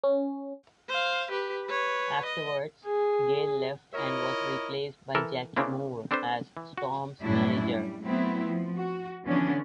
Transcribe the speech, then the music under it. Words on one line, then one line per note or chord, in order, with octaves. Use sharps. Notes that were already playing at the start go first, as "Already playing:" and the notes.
Afterwards, Gail left and was replaced by Jackie Moore as Storm's manager.
C#4
C5 F5
G4 B4
B4 C#5
D#5
G#4
E4 F4 A#4 C#5 D#5
E3 A4 A#4
C#3 A#3 C4 D4 E4
C4 D4 A4 B4 C5
E3
F#4
F#2 A2 G3 C#4 D4 E4
G3
F#3 A3 B3 C4 E4
F3
F#4
D3 E3 F3 B3 C#4 D4